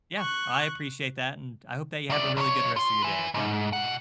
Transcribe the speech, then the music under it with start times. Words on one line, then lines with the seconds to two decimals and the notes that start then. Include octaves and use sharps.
Yeah, I appreciate that, and I hope that you have a really good rest of your day, okay?
0.18 C#6 F#6
2.10 C3 D5
2.37 B1 C#5
2.76 F4 C6
3.02 B4 G#5
3.34 G#2
3.73 B2 F#5